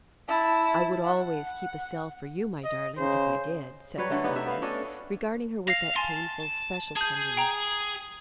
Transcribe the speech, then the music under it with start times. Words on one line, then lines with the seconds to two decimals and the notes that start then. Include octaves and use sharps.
"I would always keep a cell for you, my darling, if I did," said the squire, regarding her with that painful, special tenderness.
0.28 E4 A5
1.05 F#5
2.64 D#5
2.97 C#3 C5
3.98 F#3 G3 B4 C#5
4.10 D3 A3
4.24 B3 D#4 G4
4.36 E5
4.47 B3 F5
4.62 C#4 D4 A4 D#5
5.68 F5 A#6 C7
5.96 G#5 A5 C6
6.96 G#4 A5 G6
7.37 G5 A#5